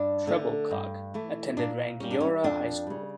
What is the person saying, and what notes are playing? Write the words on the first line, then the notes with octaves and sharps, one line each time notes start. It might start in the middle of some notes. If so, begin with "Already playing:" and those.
Trebilcock attended Rangiora High School.
Already playing: G2 D4
D3 A3
G2
E3 A3
A#2 D4
G3 A#3 C#4
D4
C#4
F2 D4
C#3 G3